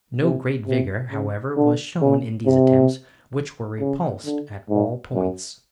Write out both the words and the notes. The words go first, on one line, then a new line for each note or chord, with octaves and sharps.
No great vigour, however, was shown in these attempts which were repulsed at all points.
C3
C3
C#3
D3
C#3
C3
C#3
D3
G#2
F#2